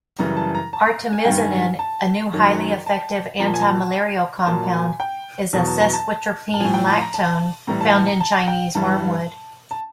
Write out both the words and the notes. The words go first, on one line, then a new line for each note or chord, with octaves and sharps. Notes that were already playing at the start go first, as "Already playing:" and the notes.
Artemisinin, a new, highly-effective anti-malarial compound, is a sesquiterpene lactone found in Chinese wormwood.
F#2 C#3 E3 G3 A#5
A5
A#5
A5
A#5
G#5
G2 D#3 G3 G5
G#5
A5
F#2 D#3 F#3
A5
A#2 F3 A#5
A5
G#5
A5
A#5
A#2 F#3 A5
G#5
G5
E2 B2 F#3 A5
A5
A#5
A5
A5
A2 F3 G#5
G5
A5
A#5
A5
A2 E3 G3 A#5
A5
A5
A#5
A5
G5
G2 E3 G3 A5
A5